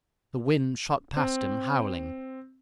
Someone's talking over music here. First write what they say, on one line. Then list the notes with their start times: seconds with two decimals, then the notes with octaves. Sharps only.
The wind shot past him howling.
1.17 C4